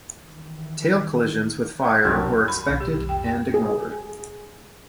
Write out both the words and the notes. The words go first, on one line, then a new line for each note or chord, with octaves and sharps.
Tail collisions with fire were expected and ignored.
D#3 E3
C2 F#2 G3 C4 D4 F#4 A#4
B5
B1 A#2
G4
D#3 G3
F2 G5
G#4